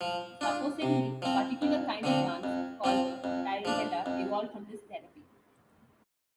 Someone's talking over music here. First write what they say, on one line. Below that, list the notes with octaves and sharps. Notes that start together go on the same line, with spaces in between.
Supposedly a particular kind of dance, called the tarantella, evolved from this therapy.
F3
D4 F4
C3
F3 C4
F2
D3 F3 C4
F2
F3 C4 F4
F2
F3 D4
F2